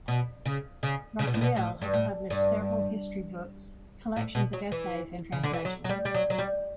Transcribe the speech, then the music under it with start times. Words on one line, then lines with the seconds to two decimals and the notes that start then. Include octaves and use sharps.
Raphael has published several history books, collections of essays and translations.
0.08 B2
0.46 C#3
0.83 C#3
1.19 C#3
1.27 B2
1.34 A2
1.41 B2
1.56 A2
1.82 G2
1.94 A2
2.30 G2
4.16 A2
4.35 B2
4.53 F#3
4.72 E3
5.32 C#3
5.43 D3
5.53 E3
5.65 F#3
5.84 F#3
5.89 G3
6.05 G3
6.14 F#3
6.30 F#3
6.39 G3